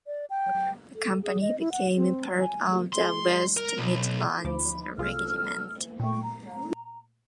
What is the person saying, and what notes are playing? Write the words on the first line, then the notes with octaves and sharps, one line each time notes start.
The company became part of the West Midlands Regiment.
D5
G5
A4
G#4
D#5
E4
F#5
C4
G#5
C6
A#4
B1
D2 F3 D#4 B5 D6
C2 F4 G#4 A4 E6 F6
A#2 A3 G5 C#6
A#5